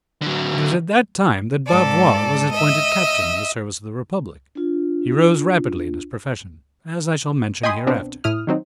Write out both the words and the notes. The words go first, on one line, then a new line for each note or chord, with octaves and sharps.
It was at that time that Bavois was appointed captain in the service of the Republic; he rose rapidly in his profession, as I shall mention hereafter.
D3 F#3
G#2 A4 D5
D#5 E5
D4 F4
D#5 G5 G#5 B5 C6 D#6
B2 B3 C4 D4
A2 E4 D#6 F6
D#3 F#3 C4 D#4